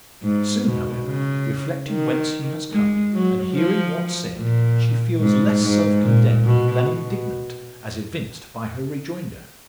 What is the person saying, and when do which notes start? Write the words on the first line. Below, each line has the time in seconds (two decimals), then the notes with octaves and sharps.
Soon, however, reflecting whence he has come, and hearing what said, she feels less self-condemned than indignant, as evinced by her rejoinder.
0.22 G#2
0.64 B2
1.05 C#3
1.88 D#3
2.71 G#3
3.13 F#3
3.54 F3
4.37 A#2
5.20 G#2
5.62 G#2
6.03 A#2
6.45 B2
6.87 B2